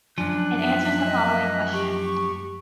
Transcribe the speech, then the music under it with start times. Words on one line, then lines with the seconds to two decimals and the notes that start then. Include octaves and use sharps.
It answers the following question.
0.18 F#2 F3 D4 G#5 F#6
0.58 E5
1.06 D#5
1.73 G4 C#6